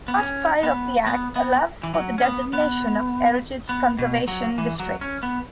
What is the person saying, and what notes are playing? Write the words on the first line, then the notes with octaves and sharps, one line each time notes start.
Part Five of the "Act" allows for the designation of heritage conservation districts.
B3
C#4
B3
B3
B3
E3
F#3
C#4
B3
B3
B3
B2
F#3
E3
F#3
C#4
B3